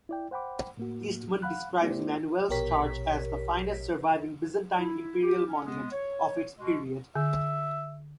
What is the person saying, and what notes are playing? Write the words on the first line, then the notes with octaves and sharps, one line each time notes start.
Eastmond describes Manuel's church as the finest surviving Byzantine imperial monument of its period.
E4 D5 G5
C5 F#5 G5 B5 D6
A2 A#3 F#4
F5 F#5 B5 F#6
A3 B3 E4 G4 C5 D5
A#1 B2 G4 A#4 C#5 B6
E4
G4
C#4
G#3 B3
C#5
B2 G#3
D3 E5